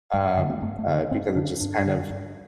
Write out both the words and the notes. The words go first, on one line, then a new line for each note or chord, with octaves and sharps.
um, uh, because it just kind of
G2 G3
D3
G2 A3
A3
D3
G2 C4
D3 D4
G2 D4
D3
G2